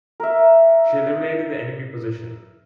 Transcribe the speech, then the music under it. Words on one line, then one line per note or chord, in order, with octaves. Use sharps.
She eliminated the enemy position.
A#4 E5